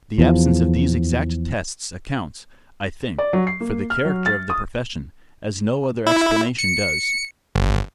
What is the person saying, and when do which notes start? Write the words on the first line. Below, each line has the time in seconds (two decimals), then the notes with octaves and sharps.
The absence of these exact tests accounts, I think, for the character of the profession, as no other explanation does.
0.18 E2 F3
3.18 D5
3.33 F#3
3.47 C7
3.60 A#3
3.90 F6
4.05 F#3
4.26 A6
4.50 D#6
6.07 E4
6.59 C#7
7.55 G1